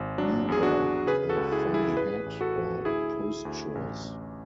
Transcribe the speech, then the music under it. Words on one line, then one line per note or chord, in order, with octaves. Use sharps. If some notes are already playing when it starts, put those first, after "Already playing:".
Either the funny hat, or postures.
Already playing: G#1
F#3 D4
E2 G#4
D4 F#4
E2
C#3 G#4 B4
F#4 A4
C#2
E4 G#4
E3
E4 G#4
A1 G#4 B4
A1
F#4 A4
A1
D2 E4 G#4
D2
D2
A1
A1